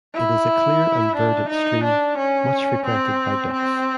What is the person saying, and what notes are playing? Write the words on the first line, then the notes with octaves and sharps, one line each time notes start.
It is a clear and verdant stream, much frequented by ducks.
E4
D4
D#4
D4
C#4
C4
C4